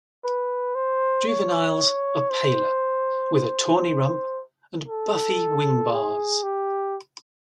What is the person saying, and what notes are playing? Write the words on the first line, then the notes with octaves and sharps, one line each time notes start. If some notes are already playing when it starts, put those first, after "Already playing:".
Juveniles are paler, with a tawny rump and buffy wingbars.
B4
C5
C#5
C5
C5
A4
G#4
G4